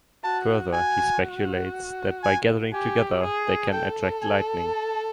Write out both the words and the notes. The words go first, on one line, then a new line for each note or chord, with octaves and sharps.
Further, he speculates that by gathering together, they can attract lightning.
F#4 A5
F#4 G#5
G#5
G4 G#5
G#4
A4 G5
G#5
A5